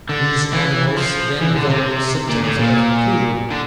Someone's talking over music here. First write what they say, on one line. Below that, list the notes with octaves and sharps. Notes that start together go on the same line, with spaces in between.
These animals then developed symptoms of kuru.
D3
E3
F3
E3
D3
C3
A#2
A2
A#2
D3